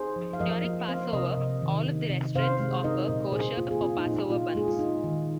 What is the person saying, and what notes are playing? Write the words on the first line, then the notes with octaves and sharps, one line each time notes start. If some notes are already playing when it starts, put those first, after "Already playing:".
During Passover, all of the restaurants offer kosher-for-Passover buns.
Already playing: D#4 G#4 C5
F3
F5
F3 A#4 D#5
A#3
C4 C5 F5
C3 A#4 D#5
C3
D#3
D#4
C3
C3 C5 F5
G#3
D#4 A#4 D#5
A#2
A#2 G#4 C5
A#3 F4
G#4
C4 F4
D#4
A#2
D#4
A#2 F4
G#3 G#4
F4
D#4
D#3